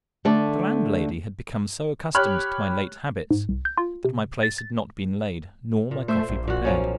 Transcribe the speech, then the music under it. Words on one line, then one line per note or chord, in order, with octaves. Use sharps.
The landlady had become so accustomed to my late habits that my place had not been laid nor my coffee prepared.
D3 A3 D5
G4 C#5 B5 F6 F#6
G#2
C2
G6
F4
C3
A6
A6
A#2
A3 C5 E5
A#1
A#2 F#4
B1 F3 A#3 C#4